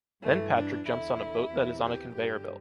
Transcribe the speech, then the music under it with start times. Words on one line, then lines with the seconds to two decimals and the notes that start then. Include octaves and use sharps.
Then Patrick jumps on a boat that is on a conveyor belt.
0.22 G2 E3 A3
0.54 D4
0.86 E2 D3 E4
1.50 E2 C3 E3
1.83 G4
2.14 G2 D3 G4